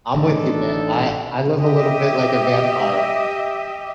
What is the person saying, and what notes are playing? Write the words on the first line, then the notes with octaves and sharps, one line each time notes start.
I'm with you, man, I I live a little bit like a vampire.
A1 D4 D#4 A4
G4 D#5 E5